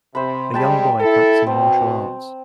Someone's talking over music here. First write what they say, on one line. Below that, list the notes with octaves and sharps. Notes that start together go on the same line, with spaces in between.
A young boy practicing martial arts.
C3 C5 B5
G3 G#3 G5 A5 B5
E4 A4
B2 C4